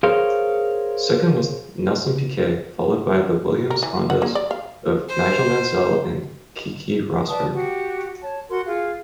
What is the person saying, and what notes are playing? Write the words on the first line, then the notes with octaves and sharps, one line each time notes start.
Second was Nelson Piquet, followed by the Williams-Hondas of Nigel Mansell and Keke Rosberg.
G#4 A#4 C5 C#5 F5
A#4
E3
F#5
A#3
D5
F5
C5
B4 D5 A5 D#6
F#4 G4
C#5 A5
F#4 A#4 C6
F4 G#4 F5